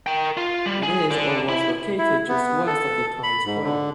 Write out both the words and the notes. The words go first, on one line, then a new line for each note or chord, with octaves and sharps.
It is or was located just west of the town square.
A#4 G5
F4
G3
G#4
D3
E4
E4
B3
A4
B5
G#2
D3